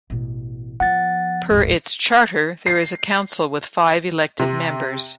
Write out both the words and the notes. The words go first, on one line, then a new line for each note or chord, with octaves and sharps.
Per its charter, there is a council with five elected members.
A1 B2
F3 B3 F#5 A6
D1 G#1
C7
C3